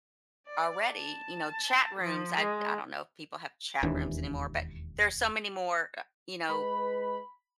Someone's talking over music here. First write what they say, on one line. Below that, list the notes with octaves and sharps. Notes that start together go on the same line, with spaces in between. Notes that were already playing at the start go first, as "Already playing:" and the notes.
already, you know, chat rooms, I I don't know if people have chat rooms anymore, but there are so many more, uh you know,
D5
A5
F3
G#3
E1 D#2 E3 D4
G#3 B4 B5